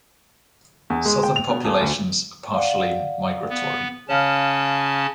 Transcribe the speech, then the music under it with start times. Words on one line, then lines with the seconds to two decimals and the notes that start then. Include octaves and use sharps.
Southern populations are partially migratory.
0.90 E2
1.05 G#3
1.23 G5
1.36 F7
1.49 B2
1.64 D#1
1.81 D2
2.54 D5 F5 F#5
3.50 B3
4.09 C#3 C#4 C#5 F5 A5 F6